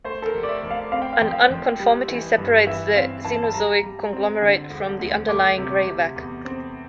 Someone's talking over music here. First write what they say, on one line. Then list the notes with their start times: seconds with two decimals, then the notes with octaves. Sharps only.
An unconformity separates the Cenozoic conglomerate from the underlying graywacke.
0.04 A3 C5
0.22 A4
0.26 A#4
0.34 F1
0.43 D5
0.48 E5
0.63 F1
0.71 F5
0.92 C4 F5
1.02 G5
1.13 F5
1.21 F2 G5
1.32 F5
1.50 F2
1.80 G3
2.08 E3
2.38 G2
2.67 E3 E5
2.96 C4 F5
3.25 E3 A5
3.44 A5
3.54 G3 A#5
3.83 G3
4.13 C4
4.41 D3
4.70 E1
4.99 D2
5.29 A3 D6
5.58 C3
5.87 C3
6.16 E2
6.45 C4